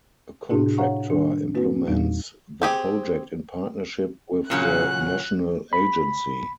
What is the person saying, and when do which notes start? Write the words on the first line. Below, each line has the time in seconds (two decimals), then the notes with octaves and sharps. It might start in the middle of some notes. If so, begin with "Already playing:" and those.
A contractor implements the project in partnership with the national agency.
0.50 A2 C3 D4 E4 F#4 G#4
0.78 C#5 F5 F#5 A#5 C#6
1.10 D#3 G3 D4
1.55 A#3 C4 E4 F#4 B4
1.88 E2 A#2 G3 D#4
2.62 C4 G4 G#4
4.50 A#2 C#3 F#3 F#6
5.73 B5